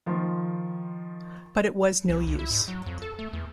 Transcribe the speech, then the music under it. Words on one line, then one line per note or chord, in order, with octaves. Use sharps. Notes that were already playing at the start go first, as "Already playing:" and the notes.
But it was no use.
D#3 F3 F4
C2
C#2
E4
G#2
F#3
F2
A4
A3
E2